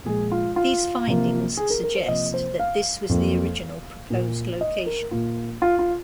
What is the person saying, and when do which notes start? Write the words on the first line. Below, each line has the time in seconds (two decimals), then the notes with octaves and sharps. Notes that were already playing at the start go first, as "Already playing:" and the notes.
These findings suggest that this was the original proposed location.
0.05 A#2 F3 G#3 G#4
0.32 F4
0.56 F4
1.07 C3 F3 A#3
1.57 G#4
1.70 A#4
1.83 A#4
1.96 C5
2.08 C3 F3 A#3 D#5
2.34 C5
2.59 F5
3.09 F2 F3 A#3
4.10 A#2
4.15 A#3
4.61 D#5
4.86 A#4
5.11 A#2 A#3 F4
5.62 F4
5.79 F4